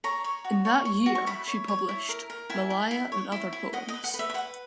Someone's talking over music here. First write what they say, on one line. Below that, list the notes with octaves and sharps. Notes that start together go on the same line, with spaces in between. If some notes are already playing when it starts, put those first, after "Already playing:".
In that year, she published "Melaia and other Poems".
C#5 A#5
C#5
F#4
C#5
C#5
F#4
C#6
E4 B5
C#5
C#5
E4
A#4
A#4
E4 G#5
E4
E4
C#5
E4
E4
D#5 F#5
D#5
B4
F#5
B4
E5
E5
B4 F#5